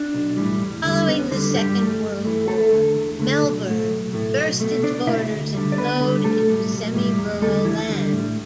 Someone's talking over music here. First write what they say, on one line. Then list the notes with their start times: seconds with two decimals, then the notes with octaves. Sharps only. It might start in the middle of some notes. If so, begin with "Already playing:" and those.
Following the Second World War, Melbourne burst its borders and flowed into semi-rural land.
Already playing: D4
0.14 B1
0.37 A2 E3 G3
0.60 E2
0.84 D3 G3
1.08 E2 B3
1.31 D3 D4
1.34 G3
1.54 G2 G3 G4
1.78 E3 A3
2.02 G2
2.24 E3 A3
2.48 E2 A3 A4
2.72 D3 A3
2.95 E2
3.19 D3 A3
3.42 B1
3.66 A2 A3
3.89 B1
4.13 A2 A3
4.36 B1
4.60 B2 A3
4.83 B1 D4 D5
5.07 B2 A3 E4 E5
5.30 D2
5.54 D3 G3
5.72 D5
5.77 D2 B3 B4
6.00 D3 G3
6.24 B1 A3 A4
6.48 A2 G3
6.72 B1
6.94 A2 G3
7.18 E2
7.42 D3 G3 A3 A4
7.65 E2 E3 E4
7.89 D3 G3
8.12 A2